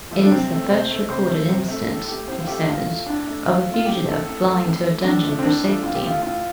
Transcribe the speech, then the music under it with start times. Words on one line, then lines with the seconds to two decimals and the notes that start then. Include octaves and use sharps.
It is the first recorded instance, he says, of a fugitive flying to a dungeon for safety.
0.11 F3 A3
0.23 D4
0.31 C3 C4
0.51 A3
0.70 C3 C5
0.90 A3
1.09 C3 C5
1.29 A3
1.49 C3 C5
1.68 A3
1.88 A2 A4
2.08 A3 G4
2.28 A2 C5
2.40 F4
2.47 A3 G4
2.67 A2 F4
2.87 A3
3.06 A2 D4
3.27 A3
3.46 A2 F4
3.66 A3
3.74 F4
3.85 A2 G4
4.05 A3 A4
4.25 A2 A4
4.45 A3
4.65 A2
4.84 A3
5.04 A2 D4
5.23 F3 A3
5.39 C4
5.43 A2 D4
5.64 F3 A3
5.83 A2 F4
5.95 G4
6.02 F3 A3 F4
6.22 A2 F4